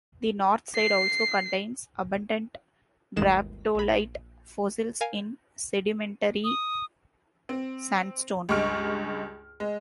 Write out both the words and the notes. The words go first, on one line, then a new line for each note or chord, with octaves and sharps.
The north side also contains abundant graptolite fossils in sedimentary sandstone.
C7
G1 D2 D#3 G#3 E7
A#1 B5
A#4 F5 G#5
D#6
C4
C#2 G2 G#3 C#6 F6 D7
G#3